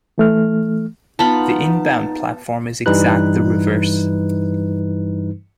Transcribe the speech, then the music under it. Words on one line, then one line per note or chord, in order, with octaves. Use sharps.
The inbound platform is exact the reverse.
E3 A3 F6
B3 D#4 F4 A5 B5
G2 E3 G3 D#4 B4 F#6